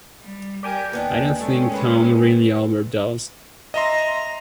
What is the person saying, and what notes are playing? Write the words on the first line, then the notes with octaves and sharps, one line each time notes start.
I don't think Tom really overdosed.
G3
G4 A#4 D5 G5 G#5
D#2 A#3 B3 D4 D#4
G#3 A3 C#4
C3 B4
D#5 E5 A#5 C6